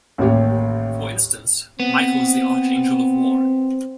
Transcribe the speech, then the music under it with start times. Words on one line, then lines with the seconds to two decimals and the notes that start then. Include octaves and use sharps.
For instance, Michael is the Archangel of War.
0.18 A1 D#2 G4 C#5
1.80 B3 C4